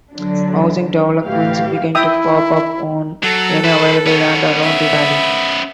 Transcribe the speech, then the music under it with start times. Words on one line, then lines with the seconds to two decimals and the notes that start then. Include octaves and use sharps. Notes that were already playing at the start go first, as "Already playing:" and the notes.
Housing developments began to pop up on any available land around the Valley.
0.12 D3 F#3 D4
1.22 D2 A2 E3 A3 G4 F5
1.95 E4 E5 G5 D#6
3.23 F#3 A4
3.64 B4 C5
4.06 B3 C#4
4.63 E5